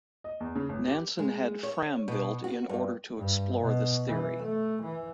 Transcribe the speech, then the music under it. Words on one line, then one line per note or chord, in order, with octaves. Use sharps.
Nansen had "Fram" built in order to explore this theory.
D#5
E2
C#3
A1
G4
G#3
C#5
B2
F#4
G2
G2
B2
E3
A3
E3